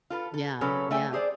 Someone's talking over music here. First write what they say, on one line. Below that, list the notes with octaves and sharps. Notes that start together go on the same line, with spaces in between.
Yeah. Yeah.
F4 A4 B4
A4
C#3 F#3 C#4 A4 B4
A3 A4 E5 G5 G#5
G4 G#4 C5 D5